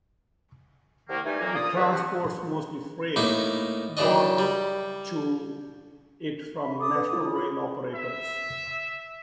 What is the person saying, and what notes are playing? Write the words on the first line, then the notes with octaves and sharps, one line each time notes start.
It transports mostly freight brought to it from national rail operators.
C2 D#3 A#3
E3 G3 A3 D#4 G#5
F2 A#2 E3 F#3 A#3
A#3 F4 D5 D#6
A3 D4 G#4 B4 E5
C3 F3 F#5
A2 A#3 D#4 E4 D6
F#2 C#3 E3 D4 D#5
G3
E5 B5
A4 D6 D#6
B4
E4 F4
B5
E5